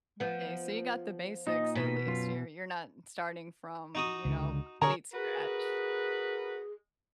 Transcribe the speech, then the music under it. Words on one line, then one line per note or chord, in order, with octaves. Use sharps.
M’kay, so you got the basics at least, you're you're not starting from, you know, complete scratch.
F3 B3
A#2 D#4 D#5
B2 B6
F#2 F4
D#4 F#4 D#6
C#2 D3
D3 G#4 A#4 C#5 A#5
F#4 G#4 A#4 B4